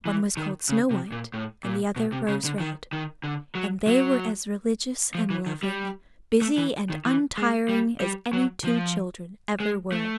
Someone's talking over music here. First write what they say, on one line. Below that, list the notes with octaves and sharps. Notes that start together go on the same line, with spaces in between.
One was called Snow-White, and the other Rose-Red; and they were as religious and loving, busy and untiring, as any two children ever were.
E3
D#3
C#3
C3
A#2
A2
A#2
B2
C3
C#3
D3
D#3
D#3
D3
F#3
F#3
F3
E3
D#3
G3
A3
E3
D#3
E3
G#3
G3
G3
F#3
F3
G#3
A3